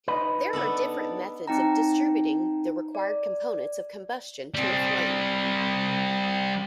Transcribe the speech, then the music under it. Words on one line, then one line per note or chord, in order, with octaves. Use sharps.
There are different methods of distributing the required components of combustion to a flame.
D#4 B4
B3 D4 A4
C4 D#4 G5 A#5
D5
G3 C4